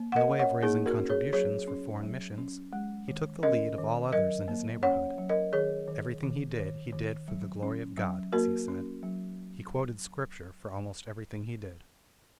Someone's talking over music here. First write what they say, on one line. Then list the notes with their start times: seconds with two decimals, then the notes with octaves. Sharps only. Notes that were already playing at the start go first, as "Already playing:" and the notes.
In the way of raising contributions for foreign missions, he took the lead of all others in his neighbourhood. Everything he did, he did for the "glory of God," as he said: he quoted Scripture for almost everything he did.
Already playing: A#3
0.12 F#5
0.16 A#4 D#5
0.28 C#4
0.39 C#5 F#5
0.63 A#3 D#4 G#4
0.86 F#4 A#4
0.98 C#4
1.10 G#4 C#5
1.33 F#3 G#4 C#5
1.68 C#4
2.03 F#3
2.38 C#4
2.73 G#3
3.08 D#3
3.43 C#4 A#4 D#5
3.78 D#3
4.13 F#3 A#4 D#5
4.48 A#3
4.83 C#4 C#5 F#5
5.18 F#3
5.29 A#4 D#5
5.53 D#3 G#4 C#5
5.88 D#3
6.23 D#3
6.58 D#3
6.92 D#3
7.28 F#3
7.63 C#4
7.98 F#3
8.32 A#3 F#4 A#4
8.68 C#4
9.03 F#3